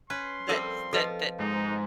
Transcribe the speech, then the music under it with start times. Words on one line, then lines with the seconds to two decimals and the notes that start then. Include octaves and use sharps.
that's that that
0.10 C#4 B4 C6
0.49 F3 G3 C4 A4 A#4
0.93 F3 A4 B4 D#5
1.40 G#2 D#4